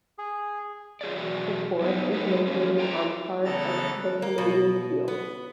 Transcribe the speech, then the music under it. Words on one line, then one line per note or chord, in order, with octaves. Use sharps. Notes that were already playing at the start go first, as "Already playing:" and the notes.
The forest is located on part of the Canadian Shield.
G#4
F4 G#4 C#5 D5
B2 E3 F#3 F#4 D5
F#3 B3 D#4
F#3 A3 A#3 D4 D#4 B4
F3 A#3 C#4
F4 G5 A5 A#5
C#3 E3 B3 A4 A#5 A6
A#3
B2
B3